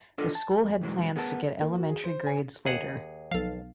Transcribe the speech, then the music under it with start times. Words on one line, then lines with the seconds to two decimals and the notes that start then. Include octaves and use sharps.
The school had plans to get elementary grades later.
0.18 D4 F4 A4 D#5
0.35 A5
0.63 F2
0.81 B1 F#2 E3 F#3 G#3
1.16 B3 G#4 A#4 A5
1.61 A#3
1.76 F#4
1.90 G#4
2.04 C5
2.26 G#5
2.65 D#2 G#4 F#5
3.31 B1 F3 A4 F5